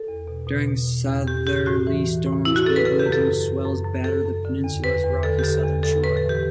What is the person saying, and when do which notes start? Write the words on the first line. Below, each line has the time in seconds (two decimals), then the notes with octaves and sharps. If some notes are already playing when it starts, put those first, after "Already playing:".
During southerly storms, big waves and swells batter the peninsula's rocky southern shore.
Already playing: A4
0.08 E2
0.28 B2
0.47 B2
0.68 B2
0.87 B2
1.07 E2
1.27 A2 G4
1.47 A2 G4
1.66 A2 F#4
1.87 E3
2.07 E3
2.27 A2
2.45 A2 E4
2.56 F#4
2.66 A2 A4
2.76 B4
2.85 C#3 A4
2.99 G4
3.06 F#2
3.12 A4
3.25 F#2
3.45 F#2
3.65 F#2
3.85 F#2
4.04 F#2 A4
4.25 F#2
4.45 D3
4.64 E2
4.84 E2 B4
5.03 E2
5.23 D3 A4
5.39 G4
5.43 D3 A4
5.64 E2
5.83 D3 A4
6.03 A2 B4
6.17 A4
6.23 E3
6.29 G4